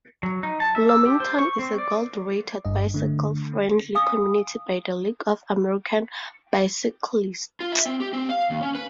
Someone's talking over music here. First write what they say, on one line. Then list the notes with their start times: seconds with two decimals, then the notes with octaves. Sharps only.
Bloomington is a gold-rated bicycle-friendly community by the League of American Bicyclists.
0.23 F#3
0.43 D#4
0.60 A5
0.75 E5
0.89 E6
1.06 G4
1.20 C5
1.39 C#6
1.59 C4
1.78 D5
2.65 G1 G2 D#5
2.94 D3 A3
3.95 F5 G#5 D#6 E6
7.60 F4
7.72 E5
7.85 C4
8.00 G4
8.13 C4
8.29 F5
8.50 D#2
8.63 C#4
8.75 B4